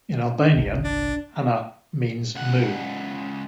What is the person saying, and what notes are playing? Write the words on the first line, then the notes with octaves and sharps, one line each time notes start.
In Albanian, "Hana" means "moon".
G1 C2
D4
C#2 F#5